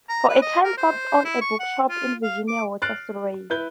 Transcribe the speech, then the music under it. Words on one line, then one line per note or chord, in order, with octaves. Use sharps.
For a time Forbes owned a bookshop in Virginia Water, Surrey.
A#5
B4
D#5
A#4
C5
E4
C#6
F#5
F4
F5
D6
F6 F#6 A6 C7 D7
E4 B4 G6 G7